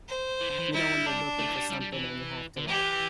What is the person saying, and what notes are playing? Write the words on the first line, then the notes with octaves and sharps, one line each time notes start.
you know, when you're looking for something and you have to like
C5
E3
D3
E3
G3 E4
D4
A3
E3
G3
G3
G3
E3
D3
E3 G4